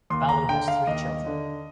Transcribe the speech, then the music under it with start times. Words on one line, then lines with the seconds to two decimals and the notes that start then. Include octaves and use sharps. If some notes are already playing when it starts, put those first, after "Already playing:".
Baloo has three children.
0.10 D#2 C6
0.29 A#5
0.49 D3 G5
0.68 F5
0.87 D#2 D#5
1.26 D3